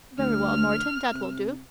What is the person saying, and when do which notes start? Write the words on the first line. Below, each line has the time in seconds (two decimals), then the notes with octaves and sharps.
"Very well, Morton, that will do."
0.19 D2 F6
1.14 C3